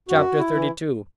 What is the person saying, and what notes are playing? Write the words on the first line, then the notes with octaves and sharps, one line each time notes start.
Chap. XXXII.
F#2 F#4
E4
E3